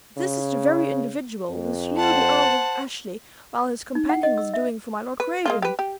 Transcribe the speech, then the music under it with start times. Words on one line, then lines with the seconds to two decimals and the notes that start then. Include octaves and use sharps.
This is the very individual who slew the Earl of Ashley, while his companion was doing for my Lord Craven.
0.17 C#3
1.50 F2
1.97 C5 F#5 A5
3.95 D#4
4.09 F#5
4.23 D#5
4.38 E6
4.54 E5
5.20 B4
5.46 G#3 A#3 F4
5.62 G4 B4
5.79 G4